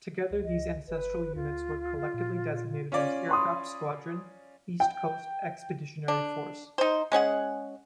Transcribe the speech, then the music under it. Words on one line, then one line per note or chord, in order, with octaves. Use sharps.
Together, these ancestral units were collectively designated as Aircraft Squadron, East Coast Expeditionary Force.
C#2
C#2 D#5
G1 B4
D2 F4
A#2
C#4 F4 D5
B5 C6 D#6
G5
D4
D#4 C5
G#3 C#4 G#4 F#5